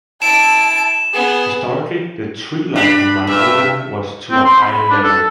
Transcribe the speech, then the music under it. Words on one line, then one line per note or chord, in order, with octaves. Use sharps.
Historically, the tree line on Mount Owen was to a high level.
E4 A5 D7 E7
B3 G#4
D4 B5
G2 E5
C4
C6
B5
D4
A4